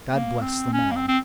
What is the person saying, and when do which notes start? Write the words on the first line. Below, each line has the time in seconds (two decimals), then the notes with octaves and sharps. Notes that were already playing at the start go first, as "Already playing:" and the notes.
God bless them all.
0.11 A#3
0.41 C4
0.73 C#4
0.91 A#3
0.96 C4
1.08 C4